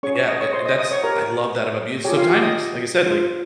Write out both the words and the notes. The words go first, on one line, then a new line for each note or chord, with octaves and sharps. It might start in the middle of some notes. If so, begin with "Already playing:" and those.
Y yeah, I that's I love that about mus it's so timeless. Like I said, like,
C#4 G#4 C#5 C#6
C#5 C#6
D#5 D#6
C#5 C#6
C5 C6
D#5 D#6
D#5 D#6
C#5 C#6
G4 A#4 C#5 A#5
F4 G4 G#4 C#5 G5
F4 F5
G4 G5
D#5 D#6
F4 C5